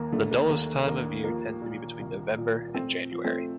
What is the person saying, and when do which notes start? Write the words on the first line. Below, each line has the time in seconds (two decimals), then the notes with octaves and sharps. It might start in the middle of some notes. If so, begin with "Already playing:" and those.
The dullest time of year tends to be between November and January.
Already playing: D#2 A#3
0.12 D3 A3
0.31 A#3
0.50 D#2 A#3
0.87 D#2 A#3
1.24 F3 A#3
1.62 A#2
1.99 C2
2.37 A#2
2.74 F3 A3 C4
3.12 F3
3.24 A3 C4